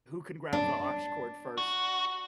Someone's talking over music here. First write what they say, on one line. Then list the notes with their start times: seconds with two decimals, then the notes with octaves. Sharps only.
who can grab the aux cord first
0.53 D4
1.58 F#4